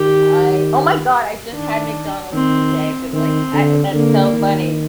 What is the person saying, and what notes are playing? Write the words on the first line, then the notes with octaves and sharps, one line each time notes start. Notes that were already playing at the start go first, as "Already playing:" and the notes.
I oh my God, I just had McDonald's today for the, like uh, that's so funny,
Already playing: D#3 G4
D#3 D4
D#3 C4
D#3 C4
D3
D3 A#3
D#3